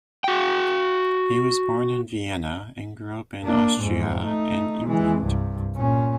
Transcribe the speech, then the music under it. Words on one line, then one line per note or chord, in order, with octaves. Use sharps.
He was born in Vienna and grew up in Austria and England.
F#4 G5
A#3 D4
F2 G#2
A3 D#4
E3 G#3
C2 G2
A#2 C#4